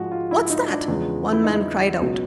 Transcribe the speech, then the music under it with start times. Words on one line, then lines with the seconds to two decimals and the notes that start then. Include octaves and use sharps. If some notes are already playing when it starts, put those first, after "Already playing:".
"What's that?" one man cried out.
Already playing: G#2 F3 G#3 F#4
0.12 F4
0.31 E4
0.50 D#4
0.68 D4
0.88 E2 C#3 F3 G#3
1.33 E4
1.44 D#4
2.01 C#2 B2 F#3